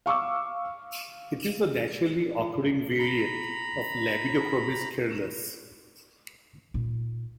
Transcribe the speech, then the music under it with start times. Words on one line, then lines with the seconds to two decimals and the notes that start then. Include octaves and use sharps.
It is a naturally occurring variant of "Labidochromis caeruleus".
0.06 F5 C#6 D6 E6
2.99 A#5 B5
6.74 A#2 D#4